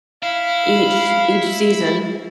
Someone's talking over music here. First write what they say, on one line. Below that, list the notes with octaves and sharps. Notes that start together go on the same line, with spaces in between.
each each season,
E4 F5